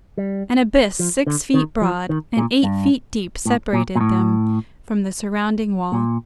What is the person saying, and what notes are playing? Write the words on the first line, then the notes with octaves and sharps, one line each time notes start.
An abyss six feet broad and eighty feet deep separated them from the surrounding wall.
G3
F3
D3
D#3
F3
D#3
A#2
G2
A2
A#2
A#2
A2
A#2